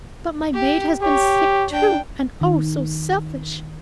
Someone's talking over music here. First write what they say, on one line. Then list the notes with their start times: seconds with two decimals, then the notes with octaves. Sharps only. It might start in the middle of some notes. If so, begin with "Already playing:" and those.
But my maid has been sick, too; and oh, so selfish!
0.54 G4
1.01 G4 C#5
1.70 D4 G5
2.41 D#3